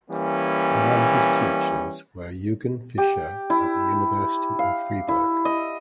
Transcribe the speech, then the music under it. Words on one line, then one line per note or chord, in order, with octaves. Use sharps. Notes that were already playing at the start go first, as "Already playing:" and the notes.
Among his teachers were Eugen Fischer at the University of Freiburg.
E3 G3 A#3 C#4
G4
E4
F5
E4
D#5